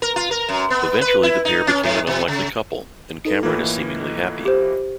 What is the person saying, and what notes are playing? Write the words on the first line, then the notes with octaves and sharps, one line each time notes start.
Eventually the pair become an unlikely couple, and Cameron is seemingly happy.
A#4
F4
A#4
F#2
B3
B4
E4
D#4
C#4
G#2
B2
C#3
D#4 A4 B4
A2 E3 A#3 F4 A4 D#5
G4 C5